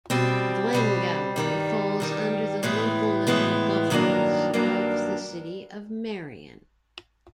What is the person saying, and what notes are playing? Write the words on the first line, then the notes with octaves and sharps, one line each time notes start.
Glengowrie falls under the local-level governance of the City of Marion.
B2 G3 C4
B2 G3 C4
G2 D#3 G3
G2 D#3 G3
A2 E3 G#3 B3
A2 E3 G#3 B3
G2 D#3 F#3 A#3 D4
G2 D#3 F#3 A#3 D4